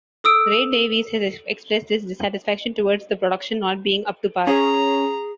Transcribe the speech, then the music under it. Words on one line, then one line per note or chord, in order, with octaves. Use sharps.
Ray Davies has expressed his dissatisfaction towards the production not being up to par.
A4 D#6 E6 D7
C#4 G#4 A#5